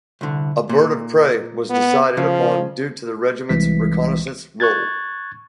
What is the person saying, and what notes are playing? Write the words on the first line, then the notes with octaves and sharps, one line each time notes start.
A bird-of-prey was decided upon due to the regiment's reconnaissance role.
C2 D3
A#2
B3
C#3 F3
C2 E3 G#3 B6
C#6 F#6 G#6 A6